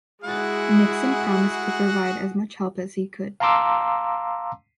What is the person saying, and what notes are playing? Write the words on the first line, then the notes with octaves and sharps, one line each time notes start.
Nixon promised to provide as much help as he could.
G#3 E4 F#4 G#4 F#5
F5 A5 A#5 C6 D6 E6